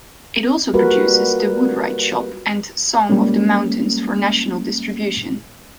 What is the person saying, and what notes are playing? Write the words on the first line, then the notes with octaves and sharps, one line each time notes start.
It also produces "The Woodwright's Shop" and "Song of the Mountains" for national distribution.
G3 A#3 F4 F#4 A#4 B4
G3 G#3 A#3 C#4